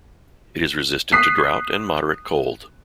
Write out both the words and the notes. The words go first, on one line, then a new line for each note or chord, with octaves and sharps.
It is resistant to drought and moderate cold.
D#6 F#6 B6 C7